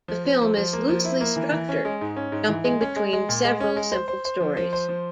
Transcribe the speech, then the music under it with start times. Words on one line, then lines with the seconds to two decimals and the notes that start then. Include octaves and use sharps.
The film is loosely structured, jumping between several simple stories.
0.08 F3
0.25 F3
0.41 F3
0.57 F3
0.73 A#3
0.89 F3
1.05 E4
1.21 A#3
1.36 E3
1.52 E3
1.69 C#4
1.85 G#3
2.01 G#2
2.16 C#4
2.32 G#2
2.48 E3
2.65 G#3
2.81 C#4
2.96 G#3
3.13 G#3
3.29 A#2
3.44 G#3
3.60 C#4
3.76 G#3
3.92 C5
4.08 C5
4.25 C5
4.40 F3
4.57 F3
4.73 C5
4.89 F3